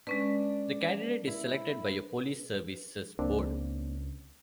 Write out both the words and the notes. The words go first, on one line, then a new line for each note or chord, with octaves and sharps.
The candidate is selected by a police services board.
G#3 C#4 D4 B4
E4
C#2 A#3 C4 D4